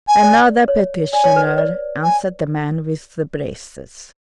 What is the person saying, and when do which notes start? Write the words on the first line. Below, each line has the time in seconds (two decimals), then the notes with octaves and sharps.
"Another petitioner," answered the man with the braces.
0.08 G#5
0.23 D5
0.68 C#5
1.13 D5 G#5
1.24 C#5
1.36 B4
1.47 B4
1.58 D5
2.03 G#5